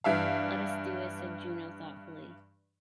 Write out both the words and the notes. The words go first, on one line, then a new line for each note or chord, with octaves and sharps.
"Let us do it," said Juno thoughtfully.
G2 E3 E5 F5